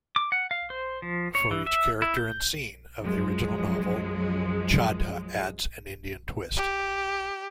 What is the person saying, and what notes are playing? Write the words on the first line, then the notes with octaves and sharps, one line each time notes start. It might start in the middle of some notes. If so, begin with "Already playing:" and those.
For each character and scene of the original novel, Chadha adds an Indian twist.
D6
F#5
F5
C5
F3
C#5
E3
E5
E4
G6
F#2 F3 F#3 G#3
G4